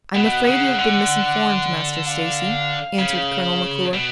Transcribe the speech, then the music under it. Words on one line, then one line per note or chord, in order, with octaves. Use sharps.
"I'm afraid you have been misinformed, Master Stacy," answered Colonel McClure.
B2 F#5
C#3
D3
F5
C#3
B2